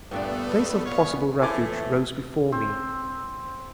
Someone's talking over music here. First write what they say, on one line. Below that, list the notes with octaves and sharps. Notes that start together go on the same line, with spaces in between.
The place of possible refuge rose before me.
G2 A#2 D3 G3 A3 B3 D4
A#2 C#5 F5
A2 E3 A3 G#5 D6
C4